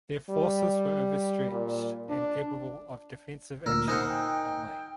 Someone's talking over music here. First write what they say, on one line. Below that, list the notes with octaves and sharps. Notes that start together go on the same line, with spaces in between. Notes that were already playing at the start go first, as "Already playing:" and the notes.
Their forces were overstretched and capable of defensive action only.
G3
A#2
D4
D2 A#2 A#4 E6
D#4 A#4 C5 D#5 F#5 G#5 E6
G5
G5